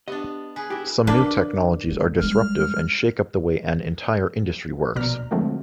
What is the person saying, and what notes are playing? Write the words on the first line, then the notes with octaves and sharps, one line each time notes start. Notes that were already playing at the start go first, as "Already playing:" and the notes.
Some new technologies are disruptive and shake up the way an entire industry works.
B3 D4 G4 D#5
G#4 B4 G#5
E4 F#4 G4
D3 A#3 D4 B4
D3 G#3
G3 G#3 F6
A#1 B2 D5 A#5 F6
D3 F3 F#3 G#3 A3 C4